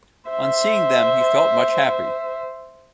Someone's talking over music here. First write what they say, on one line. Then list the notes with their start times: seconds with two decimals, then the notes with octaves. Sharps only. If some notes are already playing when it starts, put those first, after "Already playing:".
On seeing them he felt much happy.
0.30 C5 E5